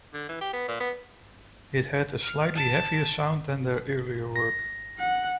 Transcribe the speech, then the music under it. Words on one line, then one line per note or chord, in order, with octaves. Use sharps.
It had a slightly heavier sound than their earlier work.
D3
E3
G4
B3
A#2
B3
F6
A5
A#6
F#5